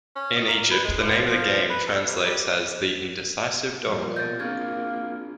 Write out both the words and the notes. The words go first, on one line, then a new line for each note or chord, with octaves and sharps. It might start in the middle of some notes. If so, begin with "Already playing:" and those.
In Egypt the name of the game translates as "The Indecisive Dog".
C#4
D#5
A#3
B4
G#3
F3
F3
B4
A4
C3
G3
A#2 F3 G3
B2 D#5 G6 A6
A#3 C4 D4 F4 G#4 G#6 A6